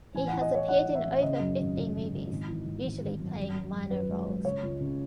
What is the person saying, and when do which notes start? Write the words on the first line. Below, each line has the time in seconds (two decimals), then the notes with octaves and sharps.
He has appeared in over fifty movies, usually playing minor roles.
0.15 A1 G#5
0.28 E3 F#5
0.41 D#5
0.50 E3 C#5
0.68 A1 F#5
0.86 A1
0.95 E5
1.04 A1
1.22 C#3 D#5
1.40 F#2
1.58 G#1
1.77 C#3
1.93 G#1
2.12 C#3
2.30 G#1
2.48 E3
2.66 G#1
2.83 G#1
3.01 G#1
3.20 F#2
3.37 F#2
3.55 F#2
3.73 F#2
3.91 F#2 B4
4.09 G#3
4.27 G#3
4.45 C#3 C#5
4.63 C#2
4.80 C#3